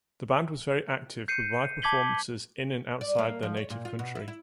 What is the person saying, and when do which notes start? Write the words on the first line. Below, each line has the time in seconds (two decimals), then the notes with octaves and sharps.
The band was very active with live performances in and outside their native country.
1.28 G6 C7 C#7 D#7
1.82 A5 D6 G#6 B6 F#7 G7
3.01 D5
3.18 A#3
3.43 F3
3.57 C#5
3.70 A#2
3.85 F4
3.99 B2
4.15 E4
4.28 E4